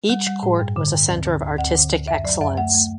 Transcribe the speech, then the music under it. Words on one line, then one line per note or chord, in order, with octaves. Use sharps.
Each court was a center of artistic excellence.
G3
G3
A2
G2
D3
G2
D2
D3
D2
D2 F#5
D3
D2
F#2 E5
F#3 D5
F#2 E5
A3 F#5
A3